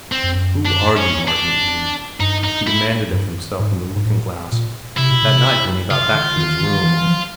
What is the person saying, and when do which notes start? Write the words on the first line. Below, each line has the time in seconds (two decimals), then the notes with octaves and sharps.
Who are you, Martin Eden? he demanded of himself in the looking-glass, that night when he got back to his room.
0.12 C4
0.23 F2
0.35 F#2
0.65 D4
0.97 C#4
1.28 D4
2.20 G2 D#4
2.44 D#4
2.67 E4
3.13 G2
3.59 G#2
3.96 G#2
4.05 A2
4.52 A#2
4.97 C3 E4
5.10 B2
5.23 C3
5.91 C#3 F4
6.14 D3
6.37 D#3
6.60 D#3
6.83 E3
7.01 E3
7.06 F3